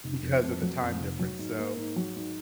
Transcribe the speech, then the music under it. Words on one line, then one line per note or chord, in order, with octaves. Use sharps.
because of the time difference, so,
F1
F2
F2
F#3
F2
F1
F#3
G#2
A#3
G#2
F#3
G#2